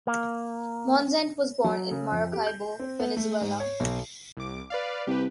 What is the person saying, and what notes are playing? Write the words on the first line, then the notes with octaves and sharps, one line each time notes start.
Monzant was born in Maracaibo, Venezuela.
A#3
F#3
C#3
F2
G4
G6
C4
B3
A3
G#2
C#5
B1
C2 D6
B4 D5 F5
C2 G4 B4